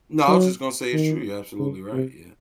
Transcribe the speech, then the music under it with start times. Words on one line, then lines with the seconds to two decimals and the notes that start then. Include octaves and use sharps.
No, I was just gonna say it's true, you're absolutely right, yeah.
0.28 F#3
0.93 D#3
1.60 C#3
1.93 C3